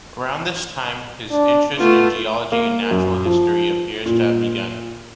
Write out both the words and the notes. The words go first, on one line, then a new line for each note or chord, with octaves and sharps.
Around this time his interest in geology and natural history appears to have begun.
D4
A3 B3 F4
A#3
F#2
F3
A#2